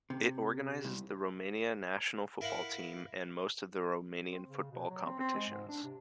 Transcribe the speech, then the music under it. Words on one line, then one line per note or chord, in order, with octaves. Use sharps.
It organizes the Romania national football team and most of the Romanian football competitions.
C3
C2
E4 A#4 F5 F#5 B5
C4
C#3
B2
F#3
C4
C4
G#3
G#2
D4
C3